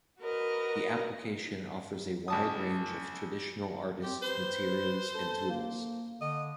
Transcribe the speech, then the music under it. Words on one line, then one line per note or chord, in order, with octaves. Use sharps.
The application offers a wide range of traditional artists' materials and tools.
F#4 A#4 B4 D#5
C#2 A5 D#6
C4 G4
B4 C5
A4
A#3
D3 D#5